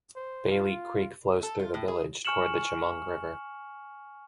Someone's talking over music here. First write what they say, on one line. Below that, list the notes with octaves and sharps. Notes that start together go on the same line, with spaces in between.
Bailey Creek flows through the village toward the Chemung River.
C5
F4
A4
F4
A2
G#4
G#5 C#6 F6 C#7 E7 F#7